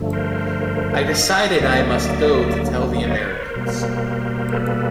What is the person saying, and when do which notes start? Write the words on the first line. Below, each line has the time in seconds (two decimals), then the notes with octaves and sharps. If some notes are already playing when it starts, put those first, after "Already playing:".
I decided I must go to tell the Americans.
Already playing: G2 D3 F3 A3
0.13 A#4 C5
1.12 D#5 F5
1.59 D2 D3 F#3 A#3 D5 E5
3.07 C#5 D#5
3.18 C5 D5
3.30 B4 C#5
3.42 A#4 C5
3.55 B2 G3 A#3
4.52 A4 B4